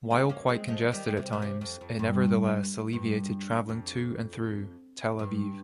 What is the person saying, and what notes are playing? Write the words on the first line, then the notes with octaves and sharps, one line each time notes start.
While quite congested at times it nevertheless alleviated traveling to and through Tel Aviv.
G#3 C4
A#3 C#4
G#3 C4
F3 G#3
D#3 G3
C3
A#2
C3
F2
F2
G2
G2
F2
G2